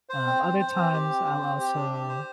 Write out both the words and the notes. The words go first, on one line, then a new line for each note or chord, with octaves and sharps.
Um, other times I'll also,
C5
C4
C5
C5
C4
G4
C4
C5
C4
G4
D4
G4
C5